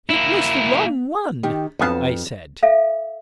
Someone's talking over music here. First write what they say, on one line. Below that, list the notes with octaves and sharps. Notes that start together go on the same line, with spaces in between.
"It was the wrong one," I said....
A#3 E4
D#3 G4
B1 F2 B3 F5 G#5 A5
A4 E5 F5